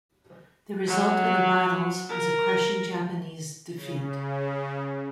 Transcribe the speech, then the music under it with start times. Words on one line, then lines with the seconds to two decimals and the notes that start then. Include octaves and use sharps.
The result of the battles was a crushing Japanese defeat.
0.87 F#3
2.09 A#4
3.74 C#3